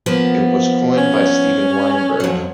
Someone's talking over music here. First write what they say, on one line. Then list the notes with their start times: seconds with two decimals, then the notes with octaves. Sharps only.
It was coined by Stephen Weinberg.
0.06 F3 A#3 B3
0.98 C#4
2.20 F2 F#3